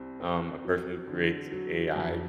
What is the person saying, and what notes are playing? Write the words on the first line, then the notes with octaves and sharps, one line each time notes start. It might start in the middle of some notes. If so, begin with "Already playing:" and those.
um, a person who creates AI
Already playing: C2 G3 C4
C4
F#3
D3
F#3
F2